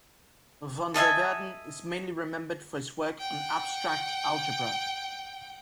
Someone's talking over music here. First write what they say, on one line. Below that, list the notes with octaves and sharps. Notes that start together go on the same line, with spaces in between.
Van der Waerden is mainly remembered for his work on abstract algebra.
A4 D#5 E5 G#5
F#5 G5